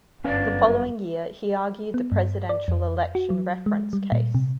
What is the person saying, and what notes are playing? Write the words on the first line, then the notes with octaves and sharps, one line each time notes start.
The following year he argued the Presidential Election Reference case.
G1 F#2 B3 C#4 B4 D5 F5
B3
G2
D5
F2
F#4
F#3
G#3
G3
A#2
C3